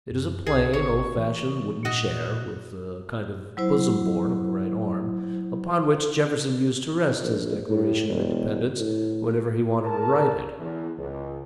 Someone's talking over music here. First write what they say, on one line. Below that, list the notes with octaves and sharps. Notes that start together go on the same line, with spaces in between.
It is a plain, old-fashioned wooden chair, with a kind of bosom-board on the right arm, upon which Jefferson used to rest his Declaration of Independence whenever he wanted to write it.
F#2
C2 G#4
G#1 C#5
E3
A#2 F#4 D#5
F#3 E4 C5
A#1
A2
E1
A2
A#4 A5
E2
C#2